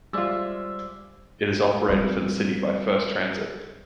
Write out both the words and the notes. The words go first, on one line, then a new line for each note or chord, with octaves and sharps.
It is operated for the city by First Transit.
G3 G#3 F4 C5 D5 E5
G3 C4